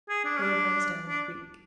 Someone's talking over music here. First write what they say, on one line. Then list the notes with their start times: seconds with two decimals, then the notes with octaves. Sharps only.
Road runs down the creek.
0.09 G#4
0.25 D4
0.37 C#4
0.42 D4
1.08 D4